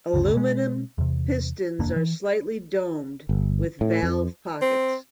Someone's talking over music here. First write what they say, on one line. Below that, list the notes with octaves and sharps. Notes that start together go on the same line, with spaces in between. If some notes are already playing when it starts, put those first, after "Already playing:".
Aluminum pistons are slightly domed with valve pockets.
G1 D2 C#3
B2 G#3
E2 C3
F1 D#2 A#3 D4
E3
G1
A2
F2
C4